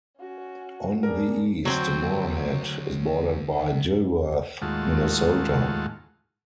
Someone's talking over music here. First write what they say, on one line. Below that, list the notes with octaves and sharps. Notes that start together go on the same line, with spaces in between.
On the east, Moorhead is bordered by Dilworth, Minnesota.
C#4 F#4
D4 G#4 A#4
D2 F#3 C4
D#2 A2 G#3 F4 F#4 A5